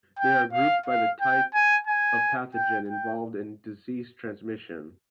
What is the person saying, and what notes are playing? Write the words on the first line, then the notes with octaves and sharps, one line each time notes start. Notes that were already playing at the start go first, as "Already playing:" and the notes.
They are grouped by the type of pathogen involved in disease transmission.
G5
F5
F5
G5
G#5
G#5
G5
G5